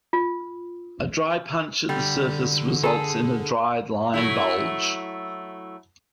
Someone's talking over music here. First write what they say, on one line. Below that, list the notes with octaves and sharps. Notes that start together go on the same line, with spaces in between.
A dry punch at the surface results in a dry line bulge.
F4
D3 G3
G#4 A4
F#3 A3 E4